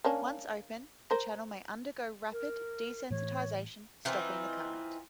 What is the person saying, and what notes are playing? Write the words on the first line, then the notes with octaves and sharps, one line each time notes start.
Once open, the channel may undergo rapid desensitization, stopping the current.
A#3 C#4 D4
A#4 C5
A#4
A2 E3 C#5
E3 C4 D#4 F4